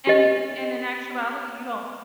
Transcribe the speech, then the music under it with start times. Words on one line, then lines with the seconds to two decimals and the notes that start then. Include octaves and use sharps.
and and in actuality, you don't
0.07 G4 D#5